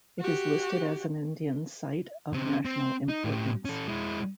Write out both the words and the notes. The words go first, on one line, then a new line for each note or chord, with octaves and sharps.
It is listed as an Indian Site of National Importance.
F#4 G4
C#3 C4
C4
D#4
A2 G4
C#4 A4
G#3 E4